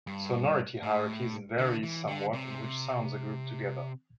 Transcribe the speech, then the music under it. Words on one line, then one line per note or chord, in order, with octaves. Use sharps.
Sonority hierarchies vary somewhat in which sounds are grouped together.
G2
A2
D3
E3
D3
C3